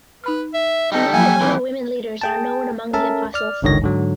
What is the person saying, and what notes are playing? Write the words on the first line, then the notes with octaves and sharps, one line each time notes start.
No other women leaders are known among the Apostles.
D#4 B4 B5 F6
E5
G3 D#4 A4
F3 F#3 A#3 G#5
D#2 E3 C4 A4 F6
G#4 G5 A5
C#4 A4 A#4 E5 A5
D5 F6
G1 C#2 D3 D#3 C#5 A#6
G#2 D3 F#3